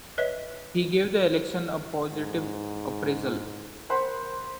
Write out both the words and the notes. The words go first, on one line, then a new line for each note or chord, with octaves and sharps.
He gave the election a positive appraisal.
B4 C#5 D#5 E5
G#2
A#4 C5 F#5 B5